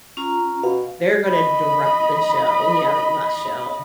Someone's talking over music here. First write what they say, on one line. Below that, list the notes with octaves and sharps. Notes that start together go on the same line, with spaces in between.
they're gonna direct the show," you know, not show.
C#4 F4 A#5
B2 F5
D#5 B5